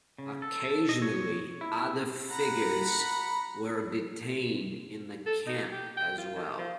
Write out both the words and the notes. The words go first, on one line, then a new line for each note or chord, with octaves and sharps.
Occasionally other figures were detained in the camp as well.
C#3
A4
D#5
C#5
E4
F#5 A#5 B5
A4
D#4
G4
G5
F4
D#3
F3